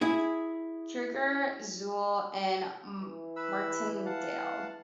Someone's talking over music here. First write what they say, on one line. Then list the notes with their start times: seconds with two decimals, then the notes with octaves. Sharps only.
Krueger, Zuehl, and Martindale.
0.01 E4 G#4
3.02 E3
3.36 B4 B5 E6
4.06 F5 F#5 A5